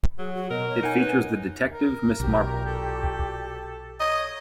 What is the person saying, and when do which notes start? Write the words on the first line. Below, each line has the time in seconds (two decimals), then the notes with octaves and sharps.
It features the detective Miss Marple.
0.19 F#3 G#4
0.34 F#4
0.50 B2 A#4 D#5
0.69 C#5
0.82 D#4 A#4 C#5 F#5 G#5
0.98 B4
1.72 A#4
2.20 B1 A#2 F#4 G4
2.66 A4
4.00 C#5 D#5